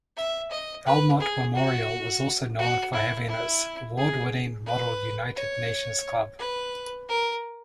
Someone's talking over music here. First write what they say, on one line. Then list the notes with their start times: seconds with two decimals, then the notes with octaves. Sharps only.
Elmont Memorial is also known for having its award-winning Model United Nations club.
0.17 E5
0.51 D#5
0.86 B4
1.20 G#4
1.55 F#4
2.59 F#4
2.93 E4
3.28 E4
3.97 G#4
4.66 B4
5.36 C#5
6.39 B4
7.09 A#4